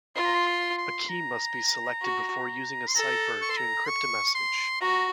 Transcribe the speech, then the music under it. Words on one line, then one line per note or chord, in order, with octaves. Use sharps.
A key must be selected before using a cipher to encrypt a message.
F4 C6
A#5
C6
C6
C6
A#5
F#4
C6
A4 A#5
C#6
C6
A#5
C#6
C6
F#4 A#5